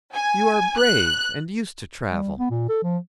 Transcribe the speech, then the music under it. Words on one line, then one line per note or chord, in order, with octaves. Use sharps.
You are brave and used to travel.
G#5
F#6
G3
B3
A#2
A4
F3